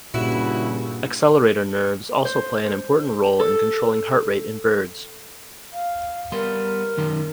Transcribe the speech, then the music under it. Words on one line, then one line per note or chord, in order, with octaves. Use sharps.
Accelerator nerves also play an important role in controlling heart rate in birds.
G2 A#2 C#3 E4 F#4
C5
A4
F5
G3 B3 A#4 C6
F#2 D#3 C6